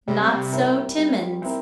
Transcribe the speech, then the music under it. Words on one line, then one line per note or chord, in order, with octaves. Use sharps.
Not so Timmans.
C3 G3
C4 E4 A#4
G3
C4 E4 A#4